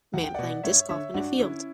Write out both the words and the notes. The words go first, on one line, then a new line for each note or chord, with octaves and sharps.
Man playing disc golf in a field.
E2 F#5
G5
B2 D5 F#5
G2 C#5 E5
D3 C#5 E5
G2 D4 F#4
D3 C#4 E4